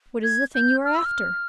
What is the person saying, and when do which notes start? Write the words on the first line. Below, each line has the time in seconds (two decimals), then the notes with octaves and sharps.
What is the thing you are after?
0.24 G#6
0.55 G6
0.85 F6
0.95 E6
1.05 F6